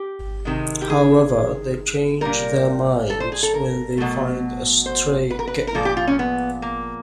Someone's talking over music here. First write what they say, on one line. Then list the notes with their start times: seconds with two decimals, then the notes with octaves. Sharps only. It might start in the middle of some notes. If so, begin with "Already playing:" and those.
However, they change their minds when they find a stray kitten.
Already playing: G4
0.45 C3 D#3 G#3
0.82 G4
0.90 G#4
2.21 A#2 G3 A#4
3.10 A4
3.20 C5
3.32 G#4
3.43 A4
3.54 A#4
3.98 B2 F#3 A3
4.86 C5
5.30 B4
5.39 A#4
5.48 B4
5.67 A#4
5.75 A#2 F3 G#3 A4
5.85 G4
5.97 F4
6.07 C#4
6.19 B3
6.62 A#3